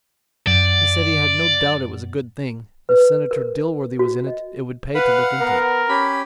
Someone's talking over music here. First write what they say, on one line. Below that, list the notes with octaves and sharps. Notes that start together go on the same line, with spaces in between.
"He said he had no doubt it was a good thing; if Senator Dilworthy was in it, it would pay to look into it."
F#2 D5
B4
A#4
F#4
D#5
B4 F5 F#5
B3 A#4
C#4 G4 B5